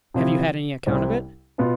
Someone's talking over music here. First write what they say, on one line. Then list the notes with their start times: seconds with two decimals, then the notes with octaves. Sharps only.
"Have you had any account of it?"
0.14 C3 F3 C4 E4
0.86 C2 C3 G3 C4 E4
1.58 B2 B3 F4